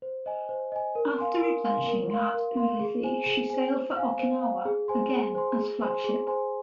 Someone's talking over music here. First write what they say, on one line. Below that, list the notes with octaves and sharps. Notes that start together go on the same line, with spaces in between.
After replenishing at Ulithi, she sailed for Okinawa, again as flagship.
C5
D#5 G#5
C5
D#5 G#5
A#4
F5 G#5 C6
A#4
F5 G#5 C6
A#4
F5 C6
A#4
F5 C6
G#4
C5 G#5
G#4
C5 G#5
C5
F5 G#5
C5
F5 G#5
G#4
C5 G#5 C6
G#4
C5 G#5 C6
G#4
C5 G#5 C6
G#4
C5 G#5 C6